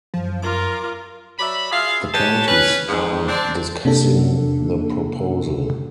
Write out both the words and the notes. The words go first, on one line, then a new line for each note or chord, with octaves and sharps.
The counties are discussing the proposal.
F#2 F3
F4 A#4 D6
F#3 D5 E5 B5
F4 G#4 E5 F5
G4 B4 C#5 G#5 A5
C#4 B4
G#2
C4 D4
C3 A#3 D4 A4